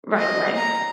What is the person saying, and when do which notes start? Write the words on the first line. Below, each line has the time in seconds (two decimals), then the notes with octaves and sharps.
right away.
0.18 D#5
0.56 A#5